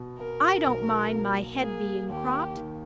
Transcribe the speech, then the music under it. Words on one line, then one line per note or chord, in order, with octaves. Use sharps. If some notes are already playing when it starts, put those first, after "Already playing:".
I don't mind my head being cropped.
Already playing: B2
B2 A#4
B1
A#3
A#3 G#4
D#2 G4
D#3